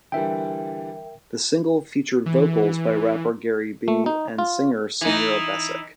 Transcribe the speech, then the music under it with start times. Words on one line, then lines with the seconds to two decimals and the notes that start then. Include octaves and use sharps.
The single featured vocals by rapper Gary B. and singer Samira Besic.
0.12 D3 E3 G3 A#4 E5 G5
2.26 E3
3.88 A3
4.06 D#4
4.38 F4
5.01 E3 D#4